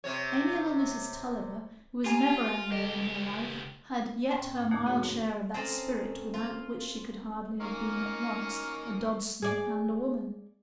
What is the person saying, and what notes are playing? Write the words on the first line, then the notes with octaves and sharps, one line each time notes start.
Amiable Mrs. Tulliver, who was never angry in her life, had yet her mild share of that spirit without which she could hardly have been at once a Dodson and a woman.
C3 C4 C#5
F4 G4 G#5 A#5
C#2 G4 A4 D#5
G#2 B3 C#4 G5 C6 A6
D2 A2
F2 D3 F3 A3 A#3 D#4
C4 F#4 G#4 A4 C#5 F#5
A#3
C4 C#4 A4 A#4 D#5
F4
A#3 C#4 D#4
G#4 D5